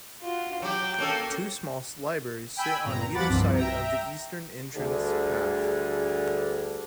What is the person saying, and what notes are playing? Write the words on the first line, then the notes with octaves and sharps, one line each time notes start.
Two small libraries sit on either side of the eastern entrance path.
F4 F#4
F#3 G4 G5
A#3 C#4 A4
G5 G#5 B5 E6
G1 A#2 A#5
E2 F3 F#5 B5 D6 A6
C2 G2 F3 C4
E5 G5 A#5
D2 D3 G3 G#4